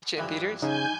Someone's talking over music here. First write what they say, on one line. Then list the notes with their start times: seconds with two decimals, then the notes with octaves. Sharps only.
tch it in theaters?
0.17 G2 E3 F3
0.62 C#3 D#4 G#5 G6